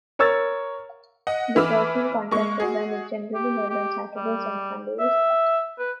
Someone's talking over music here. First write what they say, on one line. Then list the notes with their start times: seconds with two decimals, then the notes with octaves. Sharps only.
The Personal Contact Programme is generally held on Saturdays and Sundays.
0.19 A#4 C#5 C#6 E6 A6
1.27 D#5 F#5
1.56 E3 B4 B5 D6 E6 F6
2.31 G#3 A#3 C#6
2.60 F#4 G#4
3.35 G4
3.70 G4
4.16 G3
4.99 E5
5.79 B4